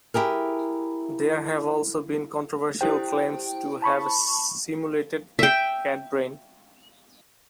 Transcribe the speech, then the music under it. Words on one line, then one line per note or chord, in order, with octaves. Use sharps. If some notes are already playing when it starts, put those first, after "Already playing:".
There have also been controversial claims to have simulated a cat brain.
E4 G4 G#4 A#4
E4 G4 C5 G5
A5 B5 C#6
E5 G5